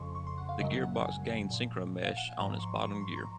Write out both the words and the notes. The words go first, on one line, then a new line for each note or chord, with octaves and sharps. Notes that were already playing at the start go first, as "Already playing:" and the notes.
The gearbox gained synchromesh on its bottom gear.
Already playing: F2 C#3 F3 C6 C#6
C#6
C6
F#5
F5
F#2 C#3 F#3 D#5
F#5
F#5
F#5
G#5
A#2 F3
F5
F#5
G#5
G#2 F3 A#5
C#6
C6
C#6
C6
A#5